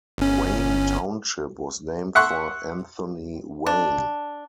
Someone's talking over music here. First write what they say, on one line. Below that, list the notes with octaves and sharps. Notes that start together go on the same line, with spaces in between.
Wayne Township was named for Anthony Wayne.
G1 C#4
E5 F#5 C6 C#6 F#6
D4